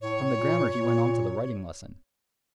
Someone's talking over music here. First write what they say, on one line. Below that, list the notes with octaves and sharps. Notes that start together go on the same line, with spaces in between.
From the grammar he went on to the writing lesson.
A2 C#5
A#2
A#2